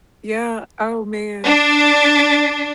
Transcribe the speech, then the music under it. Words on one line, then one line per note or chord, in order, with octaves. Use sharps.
Yeah, oh, man.
D4